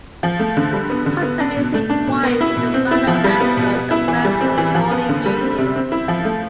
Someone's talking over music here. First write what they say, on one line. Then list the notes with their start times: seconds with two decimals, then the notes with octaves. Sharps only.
Pop can be seen twice in the final episode of "Bam's Unholy Union".
0.23 F3
0.39 A3
0.57 D3
0.73 G3
0.90 B3
1.06 D3
1.23 B3
1.40 D4
1.57 B2
1.74 A3
1.90 D4
2.07 B2
2.23 B3
2.41 E4
2.57 B2
2.74 C4
2.91 E4
3.07 F3
3.24 G3
3.40 B3
3.57 B2
3.75 B3
3.91 E4
4.08 E3
4.25 G3
4.41 C4
4.58 E3
4.75 F3
4.91 B3
5.09 D3
5.26 G3
5.41 C4
5.58 C3
5.76 C4
5.92 E4
6.08 F3
6.25 A3